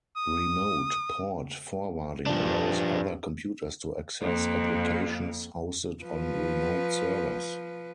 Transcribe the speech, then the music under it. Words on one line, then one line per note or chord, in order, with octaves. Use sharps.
Remote port forwarding allows other computers to access applications hosted on remote servers.
D#6
G2 F3 D4
F2 A#3
F3 B4